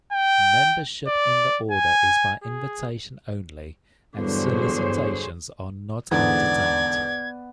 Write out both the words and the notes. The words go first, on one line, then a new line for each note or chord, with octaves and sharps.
Membership in the Order is by invitation only and solicitations are not entertained.
G5
D5
G#5
G#4
E2 G2 D3 F#3 G#4 C5 C#5
E2 G#2 D3 B3 D5 G#6